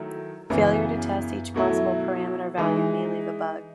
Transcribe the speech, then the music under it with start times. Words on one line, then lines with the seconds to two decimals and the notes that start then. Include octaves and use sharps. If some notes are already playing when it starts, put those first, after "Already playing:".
Failure to test each possible parameter value may leave a bug.
Already playing: D#3 F#3 A3 E4
0.50 F#2 C#3 E3 B3
1.54 B2 F#3 A3 E4
2.58 E3 G#3 D#4